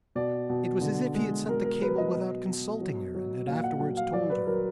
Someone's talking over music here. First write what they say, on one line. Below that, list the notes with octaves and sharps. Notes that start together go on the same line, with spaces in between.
It was as if he had sent the cable without consulting her and had afterwards told her.
B2 D5
B2
D3
G#3
B2 A#4
A#4
F#3 B4
D#5
B2
B2
F#3
F#3
A#2 F5
F#5
F#3 F#5
F5
F#3 D5
B4
F#3 A#4